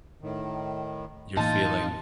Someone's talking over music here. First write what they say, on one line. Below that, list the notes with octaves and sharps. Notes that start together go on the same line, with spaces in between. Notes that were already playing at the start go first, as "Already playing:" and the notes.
you're feeling
A2 D#3
A2 E3 A#3 D#4 F4 A5